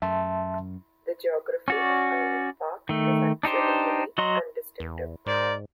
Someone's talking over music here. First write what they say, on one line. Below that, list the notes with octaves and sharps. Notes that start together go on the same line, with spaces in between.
The geography of Island Park is actually unique and distinctive.
F#2 E5 A5 C6
C#4 F#4 D5
D#3 A3
D4 D#4 G4 C5
F#3 F#4 D#5 A#5 C6
E2
G#2 A#4 C5 D5